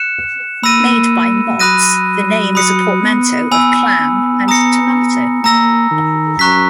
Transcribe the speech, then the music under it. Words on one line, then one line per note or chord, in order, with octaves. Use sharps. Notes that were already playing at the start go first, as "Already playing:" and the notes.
Made by Mott's, the name is a portmanteau of "clam" and "tomato".
Already playing: F#6 C#7 E7
A#3 B5 E6 A#6 D#7
F#3 B5 D#6 F#6 A#6 D#7
B5 D#6 F#6 C#7
B3
B3 G#5 B5 E6
B3
A#5 D#6 A#6 C#7
A#3 A#5 E6 A#6
D#3
F#2 A#5 C#6 F#6 B6